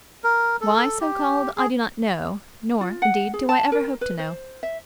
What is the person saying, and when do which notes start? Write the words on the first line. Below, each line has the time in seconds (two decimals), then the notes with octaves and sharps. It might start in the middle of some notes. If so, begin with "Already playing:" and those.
Why so-called I do not know, nor, indeed, do I ever hope to know.
0.24 A#4
0.61 A4
1.01 G4
1.57 G#4
2.81 F4
3.02 F#5
3.33 G#4
3.49 A5
3.72 A#4
4.01 B4
4.19 C5
4.63 E5